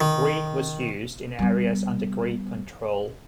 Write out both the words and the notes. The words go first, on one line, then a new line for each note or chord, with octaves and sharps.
Greek was used in areas under Greek control.
D#3
G3 B3